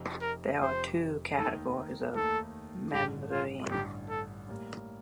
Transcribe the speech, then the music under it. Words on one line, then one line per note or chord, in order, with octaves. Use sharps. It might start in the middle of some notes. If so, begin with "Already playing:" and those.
There are two categories of mamzerim.
Already playing: F1 F2 C3
A#4
F1 F2 C3 C5
D#2 D#3 A3 D#4 A4
D#2 D#3 A3 D#4 A4
A1 G2 D3 G4
F4
A1 G2 D3 G4
A4
A2 G3 A#3